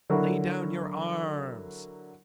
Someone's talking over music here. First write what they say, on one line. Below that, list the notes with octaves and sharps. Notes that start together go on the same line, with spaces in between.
"Lay down your arms!"
D3 F#3 E4 F#4 A#4